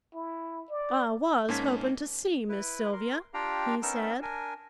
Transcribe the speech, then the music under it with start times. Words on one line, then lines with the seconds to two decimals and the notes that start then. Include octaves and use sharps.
"I was hoping to see Miss Sylvia," he said.
0.14 E4
0.70 D5
1.48 G#2 A#3 C#4 A5 G#6 B6
2.49 E4 B4
2.92 A#4 C6
3.34 D4 F4 G4 F5 G5 A#5
3.82 B3 C#4 D#4 A#4 E6
4.22 D4 A#4 G#5